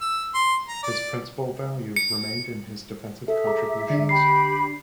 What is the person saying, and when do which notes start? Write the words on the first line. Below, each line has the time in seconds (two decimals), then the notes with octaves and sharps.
His principal value remained in his defensive contributions.
0.01 E6
0.34 C6
0.68 A#5
0.83 D5
1.96 C#7
3.28 A4 E5
3.47 G#4 A#5 D6
3.90 D3 D4
4.09 G4 B5 C7